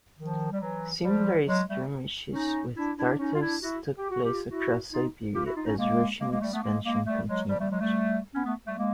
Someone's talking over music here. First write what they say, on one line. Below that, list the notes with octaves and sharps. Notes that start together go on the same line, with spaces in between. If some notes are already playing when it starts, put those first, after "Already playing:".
Similar skirmishes with Tartars took place across Siberia as Russian expansion continued.
D#3 F3
G3
E3 F#3
F3 G3
F#3 G#3
G3 A3
C#4 D#4
D4 E4
D4 E4
C#4 D#4
F4
D4 E4
E4 F#4
G4
F#4
F4 G4
E4 F#4
D#4 F4
F4 G4
E4 F#4
D#4 F4
C#4 D#4
G#3 A#3
G#3 A#3
G#3 A#3
G3 A3
A3 B3
G#3 A#3
G#3 A#3
G3 A3
F#3 G#3
F3 G3
G3 A3
F#3 G#3
G3 A3
B3 C#4
A3 B3
G3 A3
G#3 A#3